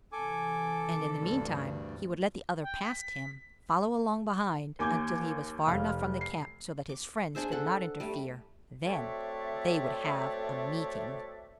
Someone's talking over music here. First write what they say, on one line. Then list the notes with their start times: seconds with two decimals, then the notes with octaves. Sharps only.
And in the meantime he would let the other past him, follow along behind until he was far enough from the camp so that his friends could not interfere--then, they would have a meeting!
0.12 C3 E3 A4 G#5 D6
1.18 D2 G2 D5
2.63 G5
2.85 B6
4.79 D#2 G#5 D6 G6 G#6
5.67 F1 F5 F6
6.21 C7
6.89 D6
7.35 D4 G#4 C5 E5
7.52 A4 F#5
8.00 G3 A3
8.86 A3 C4 F#4 C#5 D5 E5